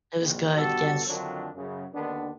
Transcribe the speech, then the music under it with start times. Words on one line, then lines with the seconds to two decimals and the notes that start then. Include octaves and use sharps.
It was good, yes.
0.19 A#1 F2 A#2
0.56 G2 B2 F#4 G4 A4
1.07 F2 D3 D#3 F3 F#3 D4
1.55 F#2 C#3
1.93 D#2 D3 D#3 B3 D4